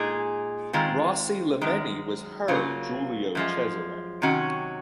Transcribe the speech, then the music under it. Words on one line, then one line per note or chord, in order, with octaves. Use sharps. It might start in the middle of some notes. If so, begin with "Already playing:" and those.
Rossi-Lemeni was her Giulio Cesare.
Already playing: A#2 G#3 D#4 G#4
D#3 G#3 C4 F4
F#2 D#3 G#3
C#3 F#3 A#3 F4
F#2 F3 G#3
C3 D#3 F#3 C#4 F#4